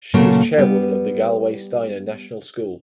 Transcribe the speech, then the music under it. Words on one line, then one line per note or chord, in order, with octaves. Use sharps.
She is chairwoman of the Galway Steiner National School.
A#2 C#3 F#3 A3 A#3
G3 B3